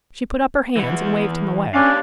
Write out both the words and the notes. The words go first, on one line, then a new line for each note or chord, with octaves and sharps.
She put up her hands, and waved him away.
E3 F#5
C#4 D4 G4 C#5 F5